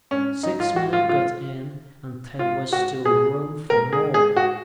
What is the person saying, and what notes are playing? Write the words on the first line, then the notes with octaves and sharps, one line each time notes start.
Six men got in and there was still room for more.
C#4
D#4
F4
F#4
F4
F4
F4
F#4
G#4
A#4
G#4
G#4
F#4